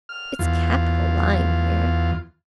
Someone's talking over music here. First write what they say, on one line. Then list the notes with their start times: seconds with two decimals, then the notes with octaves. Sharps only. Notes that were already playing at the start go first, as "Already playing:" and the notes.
"It's capital lying here."
0.09 F6
0.39 E2 F4